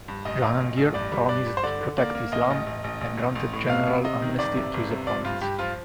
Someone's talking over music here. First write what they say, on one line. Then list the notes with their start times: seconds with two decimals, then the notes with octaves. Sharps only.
Jahangir promised to protect Islam and granted general amnesty to his opponents.
0.08 G2
0.25 A1 D#5
0.43 A1
0.60 A1
0.77 A1
0.94 G2 D5
1.12 G3
1.29 G2 D5
1.46 G2
1.57 C5
1.63 D3 D5
1.81 D3
1.98 A#3 D5
2.15 A#3
2.32 A1 D#5
2.50 A1
2.67 A1
2.84 A1
3.01 A1
3.18 A1
3.35 A1
3.53 A2
3.69 C3 F5
3.87 C3
4.04 C3 D#5
4.22 D#3
4.39 G1 D5
4.56 C3
4.74 G1
4.91 C3
5.07 F3 D5
5.24 G2 F4
5.41 G2 G4
5.59 F3 F4